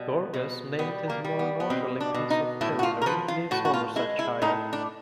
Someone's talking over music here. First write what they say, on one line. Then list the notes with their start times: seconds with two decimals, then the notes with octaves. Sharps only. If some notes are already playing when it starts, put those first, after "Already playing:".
Gorges named his more northerly piece of territory New Somersetshire.
Already playing: B2 G3
0.34 B2
0.79 G3 B3
1.10 A#3
1.25 G3
1.39 B3
1.60 B3
1.70 B2 C4
2.01 D4
2.14 B2
2.30 D#4
2.61 A2 E4
2.79 F#4
2.83 F4
3.02 A#4
3.06 F3 B4
3.28 F4
3.51 A2 F#4
3.65 F#4
3.74 F4
3.96 G#3 E4
4.19 E4
4.42 A2 D#4
4.73 D4